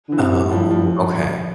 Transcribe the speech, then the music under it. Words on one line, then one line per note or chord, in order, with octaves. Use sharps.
Oh, okay.
D3 E3
C3
A2
F3
F3